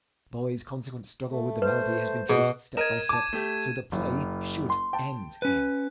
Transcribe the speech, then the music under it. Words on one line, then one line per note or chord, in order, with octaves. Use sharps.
The boy's consequent struggle with the malady has been traced step by step, so the play should end here.
A3
B4 C5
B2 F#4 G#4
A#4 D#5 G#6 D#7 E7
A5 D6
A3 G4
F#1
C6
G5 A5
C#4 B4